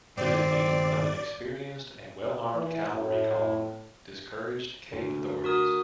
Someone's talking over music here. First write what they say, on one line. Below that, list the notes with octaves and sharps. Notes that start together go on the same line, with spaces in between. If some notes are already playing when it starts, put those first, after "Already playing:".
The defeat of an experienced and well-armed cavalry column discouraged Cape authorities.
G2 D#3 C4 D5
E3
A2
D2
F#4 A#4 D#6